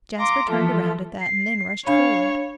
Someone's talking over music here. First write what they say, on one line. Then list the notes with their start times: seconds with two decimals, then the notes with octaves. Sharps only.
Jasper turned around at that--and then rushed forward.
0.17 F5 A#5 C6 D6
0.49 E3 F3 A3 F4 A4
1.21 C7
1.87 D4 C#5 F5 B5